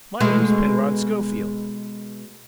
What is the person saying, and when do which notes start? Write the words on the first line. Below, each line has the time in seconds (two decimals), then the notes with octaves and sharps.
"My name's Penrod Schofield."
0.20 B2 G#3 A3